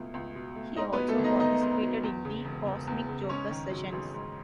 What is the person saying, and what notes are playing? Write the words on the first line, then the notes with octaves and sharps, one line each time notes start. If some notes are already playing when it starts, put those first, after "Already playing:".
He also participated in the Cosmic Jokers sessions.
Already playing: C#2 B2 A3 E4
C#2
B2
A3
G#2 D#4 D#5
B3 B4
F#3
A3 A4
G#1
D#4 D#5
G#1 D#4 D#5
G#2
F#3
E2
C#3
E1
E1
E2
C#3
G#2 C#4 C#5
D#3
F#3
A1
G#2